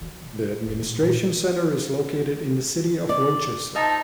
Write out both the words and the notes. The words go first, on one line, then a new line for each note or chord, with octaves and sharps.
The Administration Center is located in the city of Rochester.
D#3 F#3
C3
F1
A#2 C#3
A#2
D5
F3 D#4 E5 A5